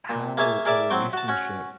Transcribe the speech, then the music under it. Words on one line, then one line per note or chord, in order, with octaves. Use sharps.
how a relationship
A#2
A#3 G#4 C#5 E5 A5
G#4 A#4 D5 E5 A5
F#3 C4 G5 C#6
F#4 A5
C#4 F#4